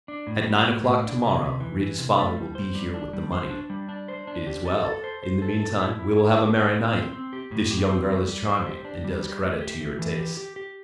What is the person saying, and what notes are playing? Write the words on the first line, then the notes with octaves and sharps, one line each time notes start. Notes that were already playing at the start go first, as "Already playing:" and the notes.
'At nine o'clock to-morrow Rita's father will be here with the money.'--'It is well; in the meantime, we will have a merry night; this young girl is charming, and does credit to your taste.
D4
A2
G3
A2
A2
D4
C3
C3
E3
E3
C3
A3
G3
C5
G3
D4
G3
C5
D4
G3
D4
C5
D4
G4
A4
A4
C5
C5
A4
A4
E4
E4
E4
A2
A2
A2
C4
C4
G4
A2
G4
C4
G3
G3
C5
G4
D4
G3
G4
A3
G4
A3
E3
G4
G4
G4